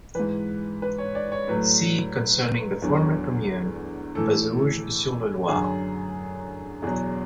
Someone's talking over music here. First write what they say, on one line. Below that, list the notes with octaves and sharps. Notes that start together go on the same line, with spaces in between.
See concerning the former commune Bazouges-sur-le-Loir.
G#2 E3 B4
B4
C#5
D5
C#5
A2 F#3 B4
E2 D3 F#3
A2 E3 A4
F#2 D3 F#3 G#4
E2 B2 F#3 G#4